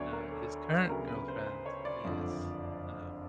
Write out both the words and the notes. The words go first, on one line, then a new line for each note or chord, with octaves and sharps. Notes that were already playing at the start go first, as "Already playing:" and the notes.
uh, his current girlfriend is, uh,
Already playing: D2 D3 F#3 B3 C#5 D5
A#4
A4
D2 C#3 F#3 B3 A#4
B4
C5
C5
C#5
D5
F#1 F2 D3 F3